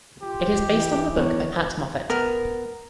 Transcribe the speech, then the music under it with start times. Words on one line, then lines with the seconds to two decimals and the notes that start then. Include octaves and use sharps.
It is based on the book by Pat Moffett.
0.22 F4 G4
0.65 E3
1.16 E2 C#5
2.10 B3 A#4